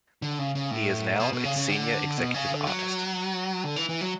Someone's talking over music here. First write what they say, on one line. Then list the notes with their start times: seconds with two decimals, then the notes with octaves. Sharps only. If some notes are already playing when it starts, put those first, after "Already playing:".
He is now its senior executive artist.
0.22 D3
0.39 C#3
0.55 C#3
0.71 A2
1.20 B2
1.33 B2
1.44 C#3
1.56 C#3
1.70 D3
2.17 B2
2.34 C#3
2.51 D3
2.67 F#3
3.64 D3
3.76 E3
3.89 E3
4.01 F#3